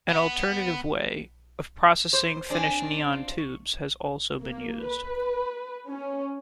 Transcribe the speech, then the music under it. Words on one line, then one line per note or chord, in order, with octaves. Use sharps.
An alternative way of processing finished neon tubes has also been used.
B3
C5 D6
C4 D4 G#4 G#5
F4
C#6
A#3
B4
C#4